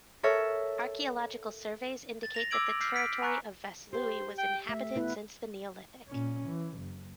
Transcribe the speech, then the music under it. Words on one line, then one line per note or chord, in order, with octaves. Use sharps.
Archaeological surveys indicate that the territory of Vaslui was inhabited since the Neolithic.
A4 A#4 C#5 E5
A6
A#6 F7
D6 E6 G#6 D7 F#7
E6 F6 G6 B6 C7
F6 B6 D7
G#5 A#5 B5 C#6 F#6 C#7
G4 C5
G5
A3 E5
B3 E4 B4
A#2 C#4
E3
F#1